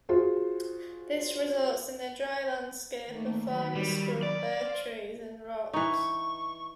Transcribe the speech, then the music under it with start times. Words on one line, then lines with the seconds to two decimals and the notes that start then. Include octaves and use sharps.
This results in a dry landscape of thorny scrub, bare trees and rocks.
0.09 F4 F#4 G#4 C5
3.07 D#3 A3 A#3
3.44 D#3 F#3 B5
3.75 G3
4.23 D5
4.56 C5 F5
5.73 E3 D#4 C#6